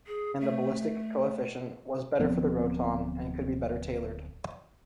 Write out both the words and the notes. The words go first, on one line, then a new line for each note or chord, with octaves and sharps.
And the ballistic coefficient was better for the Roton and could be better tailored.
G#4
A3
D1 F3 B3 C4